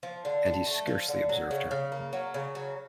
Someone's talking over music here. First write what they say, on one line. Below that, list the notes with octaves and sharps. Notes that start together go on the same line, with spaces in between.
And he scarcely observed her.
F3
D3
D3
A3
F3
D3
F#3
C#3
C#3
A#3
F#3
C#3
F#3